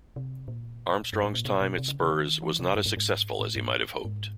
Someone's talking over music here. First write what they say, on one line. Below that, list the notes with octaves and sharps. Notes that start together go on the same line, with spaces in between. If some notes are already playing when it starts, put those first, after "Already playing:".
Armstrong's time at Spurs was not as successful as he might have hoped.
C3
A#2
G2
A2
A#2
B2
B2
C3
C#3
C#3
D#3
E3
C3
G2
G#2
G#2
A2
G#2
G#2